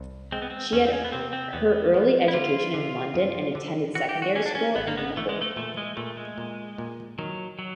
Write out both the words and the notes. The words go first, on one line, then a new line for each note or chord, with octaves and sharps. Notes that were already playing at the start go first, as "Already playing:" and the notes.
She had her early education in London and attended secondary school in Lahore.
Already playing: C2
G#3 C4
B3
C4
E2 C#4
C4
C#4
B3
C3 C4
C4
E2 B3
F3
E4
D3 F4
D3
F#2
D3
E3 F#4
G4
F#4
E3 C#4
D4
C#4
G#1 B3
A#3
B3
E3 A3
G#3
A3
A#2 A3
G#3
A#2 A3
G#3
A#2
A#2
D#3 F#3
F#3